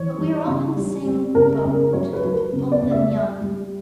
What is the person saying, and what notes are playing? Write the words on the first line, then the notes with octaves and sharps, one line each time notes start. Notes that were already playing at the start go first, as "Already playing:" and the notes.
But we are all in the same boat, old and young.
Already playing: E3 C#5
G3
C#3
G3
G3
C#3 A#4
C#3
F#3 C#5
B4
F#3
A#4
C#3
D5
C#3
E5
G3
G3